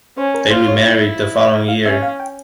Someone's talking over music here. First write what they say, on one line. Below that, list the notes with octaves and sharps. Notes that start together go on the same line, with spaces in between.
They remarried the following year.
C#4 C5
A#4
F4 C5
C#5
E4
F5
C#4 E5
F5
G5